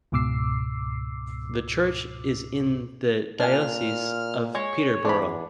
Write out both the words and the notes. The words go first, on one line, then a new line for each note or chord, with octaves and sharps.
The church is in the Diocese of Peterborough.
C#2 G#2 B2 D6 E6 C7
A#2 D4 G#5 F6
G#3 C#5
E2 D4 B5